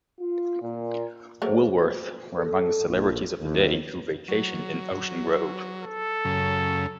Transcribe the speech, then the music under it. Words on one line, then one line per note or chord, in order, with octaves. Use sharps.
Woolworth were among the celebrities of the day who vacationed in Ocean Grove.
F4
A#2
F#3 A3 A#3 G#4 C5
A4
A#1
D#2
F#3
A4
F#2 C#3